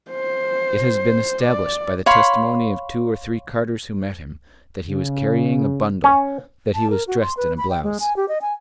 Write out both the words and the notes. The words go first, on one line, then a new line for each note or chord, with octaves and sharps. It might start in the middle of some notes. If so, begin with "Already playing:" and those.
It has been established by the testimony of two or three carters who met him, that he was carrying a bundle; that he was dressed in a blouse.
C5
D5
C#5 F5 B5 C6
C#3
C#4
A5
A#4
F#4
C6
B4
B5
G5
G#3
G#5
G4
D#5
G#5